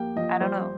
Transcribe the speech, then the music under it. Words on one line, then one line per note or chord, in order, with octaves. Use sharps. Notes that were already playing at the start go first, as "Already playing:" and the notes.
I don't know.
Already playing: F3 A#3 G4 G5
F3 D#5
G3 C5